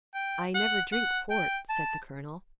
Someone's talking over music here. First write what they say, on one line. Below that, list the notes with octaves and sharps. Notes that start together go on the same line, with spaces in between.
"I never drink port," said the colonel.
G5
F#5
F#5
G5
A5